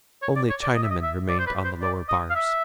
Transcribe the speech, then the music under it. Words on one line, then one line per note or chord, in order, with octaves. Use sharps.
Only Chinamen remained on the lower bars.
C#5
D5
C#5
D5
D#5
E5
D#5
E5
D5
C5
B4
C5
D5
D#5
F5
E5